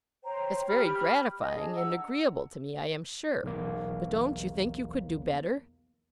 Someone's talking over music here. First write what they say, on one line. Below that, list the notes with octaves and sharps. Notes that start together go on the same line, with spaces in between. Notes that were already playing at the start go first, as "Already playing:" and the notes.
It's very gratifying and agreeable to me, I am sure; but don't you think you could do better?
C5 C#5 G5 A#5
G4 B5 F6
D#5
D4 G#4
F#5 A#5 E6
B1 E2 A#3